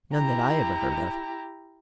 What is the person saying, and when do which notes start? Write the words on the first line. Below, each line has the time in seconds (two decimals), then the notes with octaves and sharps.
"None, that I ever heard of."
0.14 E4 G4 A#5